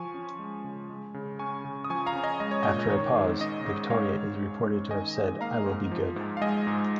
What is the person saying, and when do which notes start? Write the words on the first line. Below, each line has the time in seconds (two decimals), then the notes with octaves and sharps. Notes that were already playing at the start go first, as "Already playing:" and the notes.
After a pause, Victoria is reported to have said I will be good.
Already playing: F3 G#5 C#6
0.14 C#4
0.39 G#3
0.64 C#3
0.90 G#3
1.14 C#3
1.39 C#4 G#5 C#6
1.65 C#3
1.84 D#6
1.90 F3 G#5 C#6
2.06 F5 A#5
2.15 C#4
2.23 D#5 G#5
2.40 G#3 D#5
2.51 C#5
2.63 A#2 D#5
2.90 D#3 C#5
3.16 G#2
3.40 C#4 D#5
3.65 G#2
3.90 G#3 C#5 F5
4.16 G#2
4.41 C#4
4.66 G#2
4.91 D#3 D#5 G#5
5.16 G#2
5.41 A#3 F5 A#5
5.66 G#2
5.91 F3
6.16 G#2
6.37 F5
6.41 G#3 D#5 G#5
6.67 G#2